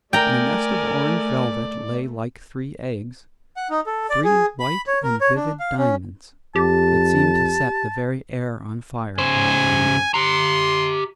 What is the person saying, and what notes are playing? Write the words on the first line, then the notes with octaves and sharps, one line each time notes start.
In a nest of orange velvet lay like three eggs, three white and vivid diamonds that seemed to set the very air on fire all round them.
A3 A#4 D5 G5 G#5 A#5
F#5
D#4
A4
D5
G#4
B5
C#5
A#4
C#5
D4
F5
C#4
F2 G4 A5
C#3 C5 G#5
G4 A#5 C6